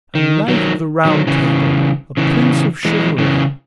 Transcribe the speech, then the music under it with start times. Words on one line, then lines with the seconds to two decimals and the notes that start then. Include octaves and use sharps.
A Knight of the Round Table, a prince of chivalry.
0.15 D#3
0.48 D#3 F#3
1.05 D#3 F#3
1.27 C#3 E3
2.17 C#3 E3
2.85 E3 G#3
3.18 C#3 E3